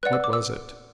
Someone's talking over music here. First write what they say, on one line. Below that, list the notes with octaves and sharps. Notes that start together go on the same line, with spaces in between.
What was it?
B4 D5 F#5 F#6
E6
D6
E6